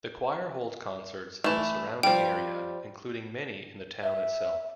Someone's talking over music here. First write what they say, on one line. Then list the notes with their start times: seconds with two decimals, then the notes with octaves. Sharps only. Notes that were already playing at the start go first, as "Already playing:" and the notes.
The choir holds concerts in the surrounding area, including many in the town itself.
1.44 E3 A3
2.03 F3 G3 G5
4.03 E5